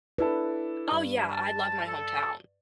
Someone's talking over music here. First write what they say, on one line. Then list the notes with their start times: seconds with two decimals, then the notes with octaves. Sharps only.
Oh, yeah, I love my hometown,
0.18 D4 E4 A4 B4
0.91 G2
1.28 A5
1.85 A4